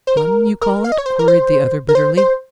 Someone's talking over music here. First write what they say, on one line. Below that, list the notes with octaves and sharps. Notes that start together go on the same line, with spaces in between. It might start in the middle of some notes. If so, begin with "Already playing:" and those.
"Fun, you call it?" queried the other bitterly.
C5
A#4
A#4
F5
D#5
C#5
C5
A#4
C5
A#4
C5
C5